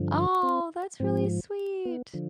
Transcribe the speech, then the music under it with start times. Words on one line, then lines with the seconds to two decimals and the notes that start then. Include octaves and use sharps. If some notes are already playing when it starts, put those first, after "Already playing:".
Aw, that's really sweet!
Already playing: G2 D3 F3
0.43 C4
1.00 G#2 F3 C4
1.85 B3
2.13 D3 F3